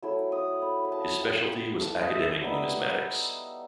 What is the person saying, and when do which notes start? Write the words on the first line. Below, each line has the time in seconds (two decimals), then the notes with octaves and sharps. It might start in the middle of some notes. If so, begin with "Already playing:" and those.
His speciality was academic numismatics.
0.02 F#3 A3 E4 E6
0.32 D#6
0.62 B5
0.85 B5
0.92 A5
1.22 G5
1.81 A5
2.01 D#5
2.11 E5
2.41 G3 B3 D#4